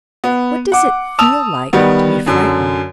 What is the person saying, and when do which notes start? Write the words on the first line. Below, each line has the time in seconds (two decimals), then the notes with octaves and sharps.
'What does it feel like to be frightened?'
0.24 B3
0.72 F#5 D6
1.19 A5 D#6 E6 F7
1.73 D#3 G3 B3
2.26 F#2 D3